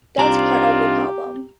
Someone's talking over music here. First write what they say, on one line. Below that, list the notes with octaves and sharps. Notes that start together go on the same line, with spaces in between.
That's part of the problem...
C2 C4 D4 D#4 F4 G4 A#5